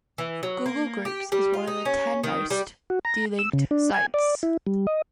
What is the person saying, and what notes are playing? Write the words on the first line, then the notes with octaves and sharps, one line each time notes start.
Google Groups is one of the ten most delinked sites.
E3
F#3
A#3
G4
G3
F4
D#4
C#4
D#3
G3
F#4
A#5
E6
C#3
D4
G#5
D5
E4
G3
D#5